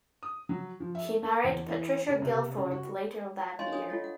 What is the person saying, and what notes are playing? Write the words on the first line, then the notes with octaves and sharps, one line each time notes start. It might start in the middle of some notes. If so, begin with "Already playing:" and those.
He married Patricia Gilthorpe later that year.
D#6
F#3
F3
E5
A#3
E2
E3
C#3
C3
C#3
F#4
C#5 D#5 F5 G#5 C6
D4 C#5 G#5 D#6
F4 A4 C#5 D#5
F#5